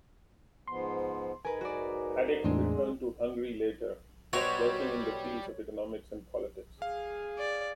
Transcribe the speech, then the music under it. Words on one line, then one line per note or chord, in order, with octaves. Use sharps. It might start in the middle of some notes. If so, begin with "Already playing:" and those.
Hadik returned to Hungary later, working in the fields of economy and politics.
G#2 F3 B3 C6
G#2 D#4 A#4 B4 G#5
F#4 D5
E2 A2 G#3 C4 D4
B2 G3 C4 F#4 C5 C#5 A#5
G#4 F5
D5